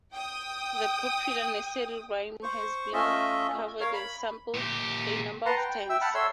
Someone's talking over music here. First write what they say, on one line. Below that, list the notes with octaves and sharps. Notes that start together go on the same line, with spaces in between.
The popular nursery rhyme has been covered and sampled a number of times.
G5 D#6
C5 C#6
A3 C#4 F4 D#5 E5
A#4 C#5 F5
B5
A#2 G4
B4 F#5 A5 A#5 C6
G5
G5
E5 G5 E6
F#5 A5 B5 F6
A4 C#5 E5 C6 E6